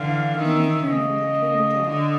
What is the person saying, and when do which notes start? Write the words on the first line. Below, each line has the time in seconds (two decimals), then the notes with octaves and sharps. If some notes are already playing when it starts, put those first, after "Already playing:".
He withdrew from the clean and jerk.
Already playing: D3 E3 F5
0.38 D#3 E5
0.87 C#3 D#5
1.88 D3